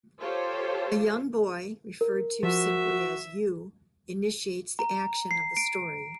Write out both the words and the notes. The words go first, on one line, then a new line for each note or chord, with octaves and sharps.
A young boy, referred to simply as "you", initiates the action of the story.
F4 G4 A4 C5 C#5
A#4
F3 F#4 E5
A#5
C7
D7